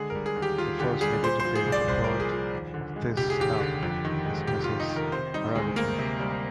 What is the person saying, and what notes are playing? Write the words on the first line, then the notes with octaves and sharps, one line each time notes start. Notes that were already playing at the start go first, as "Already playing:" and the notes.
The first neighbor to bear the brunt of this snub is Mrs Haraguchi.
Already playing: D3 G#3 G#4
A#4
G3
G#4
D#2
G4
D#2 F4
D3 G4
G3 G#4
A#2 C5
C5
F3
G#4
C2
D5
C2 C5
A#4
A#2
G#4
F3
D#2
D3
G#3
F1 G4
G#4
D#2 G4
D3
F2
D#3
G#3
F1 G4
F4
F2
D#4
D#3
A#4
C3 C5
G3 D#4
D2 G#3
D2 A#3
C3
G3